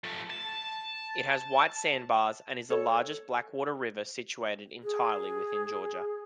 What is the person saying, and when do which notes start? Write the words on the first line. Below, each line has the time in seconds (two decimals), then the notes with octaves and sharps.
It has white sandbars and is the largest blackwater river situated entirely within Georgia.
0.04 F3 A3
0.30 A5
2.70 A4 C#5
4.83 G#4